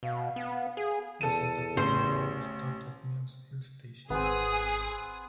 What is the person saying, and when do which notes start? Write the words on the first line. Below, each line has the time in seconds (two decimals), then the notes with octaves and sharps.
The Santa Fe Railway stopped at Millsdale Station.
0.03 B2 F5
0.36 B3
0.77 G#4
1.21 E2 A4 D#7
1.77 A1 C5
4.10 G#1 B3 C4 G#4 D#6